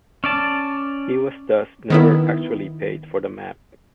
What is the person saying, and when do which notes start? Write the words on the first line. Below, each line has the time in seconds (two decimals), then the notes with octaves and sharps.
He was thus never actually paid for the map.
0.24 C#4 D5 A5
1.90 D#3 B3 E4